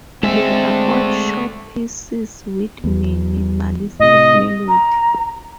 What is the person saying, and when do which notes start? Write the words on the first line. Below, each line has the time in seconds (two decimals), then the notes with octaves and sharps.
They are all short pieces with minimalistic melody.
0.23 D3 G#3 A3 C4 E5
2.84 E2
4.00 A2 C3 D#5
4.68 A#5